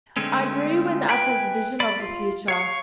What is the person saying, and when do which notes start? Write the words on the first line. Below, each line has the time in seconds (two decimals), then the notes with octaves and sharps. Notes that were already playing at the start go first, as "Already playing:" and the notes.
I agree with Apple's vision of the future.
0.17 D3 G#3 A3 C4 C#4
1.09 B4 E5 G5 G#5 B5
1.80 D5 B5
2.00 F4
2.48 C#5 F5 C#6